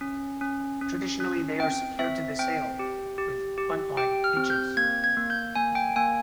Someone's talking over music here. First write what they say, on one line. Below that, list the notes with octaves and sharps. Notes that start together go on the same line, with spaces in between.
Traditionally they are secured to the sail with buntline hitches.
C#4
C#4
C#4
C#4
C4 G5
C4 E5
C4 G5
G4
G4
G4
G4 G5
F6
C4
G6
A#3 G#6
G#6
A#3
G6
A#3 G#5
G5
A#3 G#5